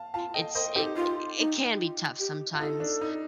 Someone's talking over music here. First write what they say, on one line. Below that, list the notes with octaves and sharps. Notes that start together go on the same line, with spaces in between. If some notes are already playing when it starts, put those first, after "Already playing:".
it's it i it can be tough sometimes
Already playing: F5 A5
F4 F5 A5
A4 D#5 G5
A#4 C5 D#5
D#4 G4 A4
F4
D#4
F4
G4
F4
D#4 A4
D4
D#4